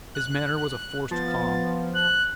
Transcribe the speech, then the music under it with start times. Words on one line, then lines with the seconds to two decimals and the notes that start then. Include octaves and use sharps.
His manner was a forced calm.
0.15 F#6
1.11 F3 B3 A6
1.95 F#6 F#7